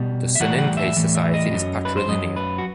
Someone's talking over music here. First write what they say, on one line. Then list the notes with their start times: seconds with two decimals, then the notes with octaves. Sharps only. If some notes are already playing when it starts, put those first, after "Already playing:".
The Soninke society is patrilinear.
Already playing: B2 G3
0.35 E5
0.40 A2 E3 G3 F#5
0.58 F#5
0.77 E5
0.97 A2 E3 G3
1.15 E5
1.34 D#5
1.52 F#2 F#3
1.85 B4
1.97 C5
2.08 F#2 F#3 D#5
2.36 B4
2.58 F#4